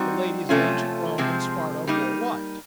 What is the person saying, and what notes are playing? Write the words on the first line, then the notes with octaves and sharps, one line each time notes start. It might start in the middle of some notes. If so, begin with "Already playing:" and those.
The ladies of ancient Rome and Sparta wore white.
Already playing: G3 C4 D#4 F#4
C3 F3 A3 C#4 F4
C3 F3 G#3 C4
G3 A#3 D#4